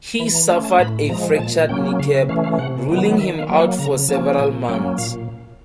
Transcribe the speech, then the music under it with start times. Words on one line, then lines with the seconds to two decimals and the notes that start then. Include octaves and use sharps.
He suffered a fractured kneecap, ruling him out for several months.
0.19 E3 B5
0.34 A#5
0.50 A3 A5
0.52 C#4
0.65 A5
0.79 A2 B5
1.09 F3 G#3 A#5
1.39 A#2 A5
1.69 F#3 A#3 C#4 G5
1.99 C#3 F5
2.14 E5
2.29 E3 A3 C#4 F5
2.44 F5
2.58 C3 F#5
2.89 D#3 F#3 B3
3.19 D#3 E5
3.39 F5
3.49 F#3 A#3
3.59 F#5
3.79 C#3 A#5
4.09 F3 A#3 C#4 A5
4.38 A#2 G#5
4.68 F#3 A#3 C#4 G5
4.98 A#2 F5